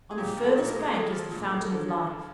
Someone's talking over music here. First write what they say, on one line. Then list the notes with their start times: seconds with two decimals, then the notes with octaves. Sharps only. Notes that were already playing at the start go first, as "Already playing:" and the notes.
On the furthest bank is the fountain of life.'
0.11 G#4
0.18 A#2 G4
0.37 F3
0.43 A4
0.56 A#2
0.68 A#4
0.75 G#3
0.94 G#3 A4
1.13 F3
1.32 A#2
1.51 G#3
1.59 A#4
1.70 D3 A4
1.88 F3
2.07 F3